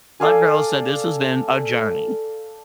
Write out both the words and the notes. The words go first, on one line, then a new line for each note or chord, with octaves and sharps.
My girl said, "This has been a journey."
A4 D5 F5 G#5